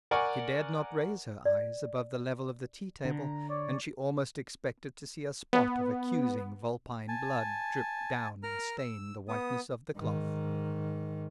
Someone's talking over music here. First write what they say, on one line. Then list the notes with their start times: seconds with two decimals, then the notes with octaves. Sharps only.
She dared not raise her eyes above the level of the tea-table, and she almost expected to see a spot of accusing vulpine blood drip down and stain the whiteness of the cloth.
0.11 A#4 D5 F#5 G#5 C#6
1.45 D5
3.05 D3 A#5
3.49 C#5 D5
5.53 B3
7.08 G#5 A5
8.43 A#4 A#5 F6
8.78 E6
9.28 B3 D#6
9.97 G#2 D#3